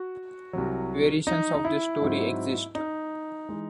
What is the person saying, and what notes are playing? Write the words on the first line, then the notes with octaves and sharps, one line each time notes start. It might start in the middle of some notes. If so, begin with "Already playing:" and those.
Variations of this story exist.
Already playing: F#4
C2 C3 F#3
D#4
D#4
E4
G#2 F#3 C4
D#4
E3 G#3